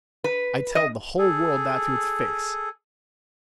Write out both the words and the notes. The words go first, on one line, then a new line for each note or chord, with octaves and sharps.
I tell the whole world that to its face!
B4
D#5
G#4 A4